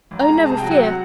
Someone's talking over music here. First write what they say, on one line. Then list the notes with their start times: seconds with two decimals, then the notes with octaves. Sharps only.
'Oh! never fear!
0.11 G#1
0.20 A#5
0.28 G#3
0.45 C3 A5
0.58 F#3 G5
0.71 F#5
0.84 F#5